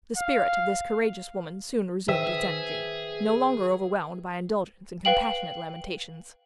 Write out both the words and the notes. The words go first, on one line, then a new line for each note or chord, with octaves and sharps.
The spirit of this courageous woman soon resumed its energy, no longer overwhelmed by indulgence in compassionate lamentations.
F5
D#3 G#4 B4 C5 E5 G5
B4 F5 G5 F#7